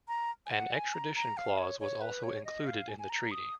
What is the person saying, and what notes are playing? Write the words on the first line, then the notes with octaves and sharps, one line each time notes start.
An extradition clause was also included in the treaty.
A#5
G#5
F#5
G#5
A#5
A#5
F5
C#5
C#5
B4
C#5
D#5
F5
G#5
G#5
A#5
D#6